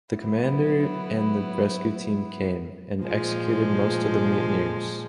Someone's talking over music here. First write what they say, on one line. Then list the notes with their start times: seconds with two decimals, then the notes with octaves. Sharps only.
The commander and the rescue team came, and executed most of the mutineers.
0.15 F#3 B3 E4
3.02 A#2 F3 G#3